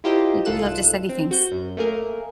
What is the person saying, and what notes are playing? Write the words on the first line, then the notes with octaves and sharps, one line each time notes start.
We do love to study things.
E4 F4 G4 A#4 C5 D#5
C2 G#2 F4 A4 F#6 E7
C4
F#4 G6
F#2
A3 A#3 G#4 A#4